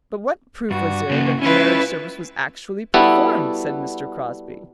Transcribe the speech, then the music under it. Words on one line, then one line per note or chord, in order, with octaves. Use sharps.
"But what proof was there that the marriage service was actually performed?" said Mr. Crosby.
G2 F#4
C#3 A#3
C#4 E4 F4 B4
G3 B3 E4 F#4 A4